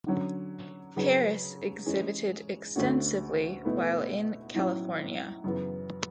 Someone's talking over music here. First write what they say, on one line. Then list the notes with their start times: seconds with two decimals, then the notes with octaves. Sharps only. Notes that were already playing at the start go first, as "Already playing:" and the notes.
Paris exhibited extensively while in California.
0.07 D3 F#3 C#4
0.96 C#3 F#3 C#4 G#4 B4
1.86 E3 G#3 C#4 G#4
2.76 D2 D3 A3 C#4 F#4
3.65 B2 A3 E4 B4
4.54 A2 F#3 C#4 E4
5.44 F#2 C#3 E3 B3